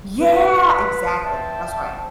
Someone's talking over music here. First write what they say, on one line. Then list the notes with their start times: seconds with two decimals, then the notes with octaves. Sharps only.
Yeah, exactly that's right.
0.20 B4
1.25 C5 D5 E5 G5 A5